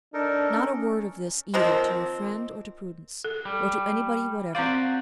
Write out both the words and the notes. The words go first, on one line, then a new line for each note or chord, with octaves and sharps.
"Not a word of this either to your friend or to Prudence, or to anybody whatever."
D4 D#4 A4 A#4
C#4
D#3 F3 A#3 C4
A4
G3
C4 F#4 C5 D5 F5